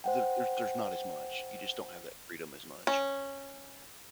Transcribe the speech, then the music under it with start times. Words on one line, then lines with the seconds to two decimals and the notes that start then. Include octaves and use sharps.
there there's there's not as much, you just don't have that freedom as much.
0.04 C5 F#5 G5
2.87 C#4